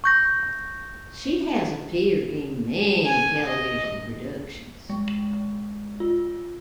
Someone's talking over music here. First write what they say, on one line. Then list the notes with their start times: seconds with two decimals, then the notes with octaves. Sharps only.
She has appeared in many television productions.
0.04 C#6 G6 A#6
3.06 G#5
3.46 D#5
4.90 G#3
6.00 F4